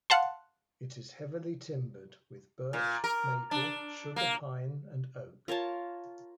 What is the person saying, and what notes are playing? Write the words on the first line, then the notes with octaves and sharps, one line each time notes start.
It is heavily timbered with Birch, Maple, Sugar Pine and Oak.
F5 F#5 A5 C6
A#2
A#4
D4
A#3
F4 A#4 C#5 A5